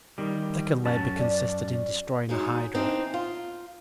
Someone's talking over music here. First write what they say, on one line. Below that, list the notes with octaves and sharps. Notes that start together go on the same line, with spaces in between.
The second labor consisted in destroying a hydra.
D#3 G3
F#2 C#4 A5
D5
F#3 G#3 D#4
E3 C4 D4 D#4
F4